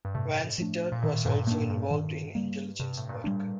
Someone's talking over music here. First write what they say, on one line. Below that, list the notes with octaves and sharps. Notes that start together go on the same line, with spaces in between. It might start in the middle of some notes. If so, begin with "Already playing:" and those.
Vansittart was also involved in intelligence work.
G2
A2 C3
F3 A3 D4
A#2
A2 D#3
G2 A#2
A2 A#3 D4
G2
D#3
G3 A#3
G2 C3
A2
G2 A#2
G3 A#3 D4